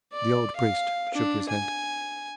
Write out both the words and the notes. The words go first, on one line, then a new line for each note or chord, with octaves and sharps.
The old priest shook his head.
D5
F5
D4
G#5